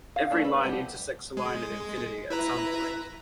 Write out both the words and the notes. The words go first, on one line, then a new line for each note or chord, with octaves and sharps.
Every line intersects the line at infinity at some point.
F5
E3 A3 D4
B4
F3 G3 A3 B3 G4
G#3
E4 B4 A#5